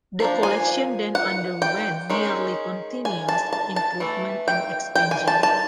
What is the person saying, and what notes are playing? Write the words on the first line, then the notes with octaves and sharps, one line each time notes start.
The collection then underwent nearly continuous improvement and expansion.
F3 A#3 D4
G#5
F#5
G5
D#3 G#3 C#4
G#5
A5
A5
A5
E3 A3
G5
G5
G#5
A5
A5